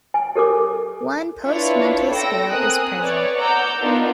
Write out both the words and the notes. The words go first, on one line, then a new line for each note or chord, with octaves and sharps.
One postmental scale is present.
G#5
G4 A4 A#4 D6
D4 E4 F4 B4 C#5
A4 G5 E6 A#6 D7
C4 A#4 G#5 D#6 F#6
B4 C#5 D5 E5
F#5 A#5 D6 E6 G6
B3 D4 D#4 F4 A#4